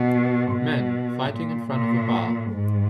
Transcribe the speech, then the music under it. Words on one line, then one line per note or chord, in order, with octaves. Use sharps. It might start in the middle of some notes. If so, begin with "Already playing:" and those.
Men fighting in front of a bar.
Already playing: B2
B2
A#2
A#2
G#2